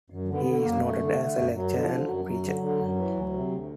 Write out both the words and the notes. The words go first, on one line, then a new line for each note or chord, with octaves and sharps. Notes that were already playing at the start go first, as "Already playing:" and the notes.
He was noted as a lecturer and preacher.
F#2
D3
B3
D3
A#3
F#2
F#2 A3
D3
D3
F#2
F#2 F#3
D3
F3
D3
F#3
F#2
F#2 F#3
D3
D3
F#2
E3
D2
C3
D2